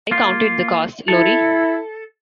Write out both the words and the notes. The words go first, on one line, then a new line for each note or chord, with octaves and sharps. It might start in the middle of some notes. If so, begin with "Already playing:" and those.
I counted the cost, Lori.
A#3 F4
E4 A4